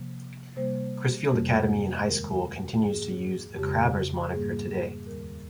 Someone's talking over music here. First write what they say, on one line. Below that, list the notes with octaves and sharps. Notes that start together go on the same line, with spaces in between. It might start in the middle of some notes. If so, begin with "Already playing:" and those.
Crisfield Academy and High School continues to use the "Crabbers" moniker today.
Already playing: C3 F3 A#3
C3 G3 A#3 C5
F2 C3 G3 A#3
D#2 D#3 G#3 A#4
G#2 F3 A#3 G#4
F2 C#3 G#3 G4
G#2 G3 A#3 G#4
D#2 D#3 G3 A#4